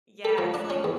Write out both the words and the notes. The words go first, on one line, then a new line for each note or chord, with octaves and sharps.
Yeah, it's, like,
A4
F3
D4
C#4
E2